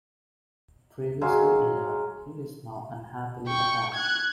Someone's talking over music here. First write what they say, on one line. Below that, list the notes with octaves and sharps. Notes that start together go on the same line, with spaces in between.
Previously in love, he is now unhappily attached.
F#3 G#3 F#4 G#4 F5
G5 C#6
F#6 G#6